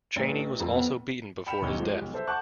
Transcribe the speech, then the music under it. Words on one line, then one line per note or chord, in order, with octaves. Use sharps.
Chaney was also beaten before his death.
A1
F2
B3
G5 B5 C#7 E7 F7
D#1 B1 D#4 C#5 G7
F3 G#3 G4
B1
A4 C5 E5
F#5 A5 C#6 D6 F#6 G6